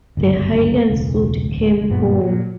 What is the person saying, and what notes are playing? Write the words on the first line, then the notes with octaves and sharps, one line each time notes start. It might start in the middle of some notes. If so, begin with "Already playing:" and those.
The Highland suit came home.
G1 C#2 F#2
E1 C#2
D1
D2 G#3
G1 F#2 A#2 B3
A#2 F3 F#3